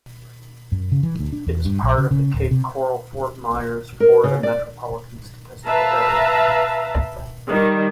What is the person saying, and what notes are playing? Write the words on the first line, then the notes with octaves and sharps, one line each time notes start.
It is part of the Cape Coral-Fort Myers, Florida Metropolitan Statistical Area.
F#2
C#3
E3
D2
D4
E2
G2
A#1
C#3
C#3
D1
C3
A#4
C#3
D5
B4 E5 F5 A5 A#5
D#3 G3